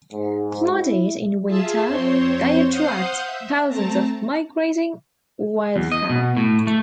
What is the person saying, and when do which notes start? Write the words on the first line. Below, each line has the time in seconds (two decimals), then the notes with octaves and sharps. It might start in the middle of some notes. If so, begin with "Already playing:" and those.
Flooded in winter, they attract thousands of migrating wildfowl.
0.13 G#2
0.72 E4
1.47 F4 G#4 E5 A5
1.88 F2 C4 C5 C#5 C6
2.67 C5 F5 F#5 C6 D#6 G6
3.22 E5
3.68 A3 C4 A5 A#5
5.76 E2
5.92 D#5
6.09 B2
6.37 A2
6.67 A3